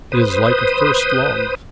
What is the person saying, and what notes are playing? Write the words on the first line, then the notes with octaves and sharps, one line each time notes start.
It is like a first love.
B4 C5 D#6